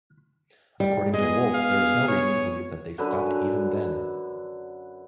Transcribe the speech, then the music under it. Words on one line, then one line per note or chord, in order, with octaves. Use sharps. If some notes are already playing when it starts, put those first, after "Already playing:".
According to Wolf, there is no reason to believe that they stopped even then.
G3
G#3 B3 G#4 D#5
F5
C#5
F#2 D3 B4